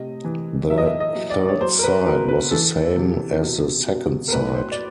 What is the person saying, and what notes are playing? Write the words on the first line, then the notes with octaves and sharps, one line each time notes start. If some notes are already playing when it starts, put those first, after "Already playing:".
The third site was the same as the second site.
Already playing: A2 C3 D#5
E3
F#3 E5
D#5
E5
D#5
F#3
D5
C#5
F#3 C5
A#4
B4
B2 A#4
B4
E3 A4
C3
B2
B2
A#4
A2 B4
C5
D5